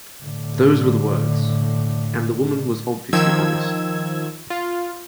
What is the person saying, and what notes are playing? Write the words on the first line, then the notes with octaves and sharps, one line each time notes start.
Those were the words, and the woman was obviously honest.
A2 D3
D#3 F3 E6 G#6
F4